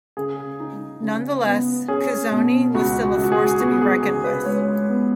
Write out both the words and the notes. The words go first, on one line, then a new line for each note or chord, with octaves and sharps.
Nonetheless, Cuzzoni was still a force to be reckoned with.
C#3 G#4
D#4
C#3
B3
C#4 G#4
B2
C#2 F#4
F#4
C#2
F#4
G#4
B3 F#4
G#4
C#3 G#4
B4
G#3 C#5
B3